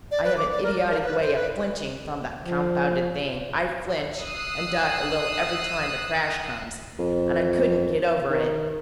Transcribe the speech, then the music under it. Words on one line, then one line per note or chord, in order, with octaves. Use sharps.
I have an idiotic way of flinching from the confounded thing--I flinch and duck a little every time the crash comes, and I couldn't get over it.
D5
B4
D6
D5
A#4
D5
A#4
B4
C5
B4
F3
D#6 E6 F#6 C7
F2
D#3